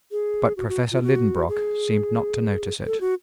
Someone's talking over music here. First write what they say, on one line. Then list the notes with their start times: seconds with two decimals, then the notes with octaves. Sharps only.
But Professor Liedenbrock seemed not to notice it.
0.11 G#4
0.57 F#4
0.69 F#4
0.92 F4
1.03 F#4
1.48 G#4
2.86 A4
3.01 F#4